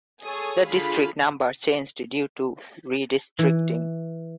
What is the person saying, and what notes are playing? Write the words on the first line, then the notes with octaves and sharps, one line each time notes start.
The district numbers changed due to redistricting.
G#4 A4 C#5 G#5 D#6
D3 F4 G#4 F5 B5
E3